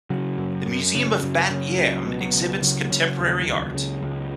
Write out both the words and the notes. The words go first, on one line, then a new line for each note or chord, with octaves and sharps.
The Museum of Bat Yam exhibits contemporary art.
C#3 F#3
F#2
F#2
C#3
F#2
C#3
C#2 F#3
B2
F#3
C#2
C#3 F#3
C#3
D#2
C#2
C#3
C#2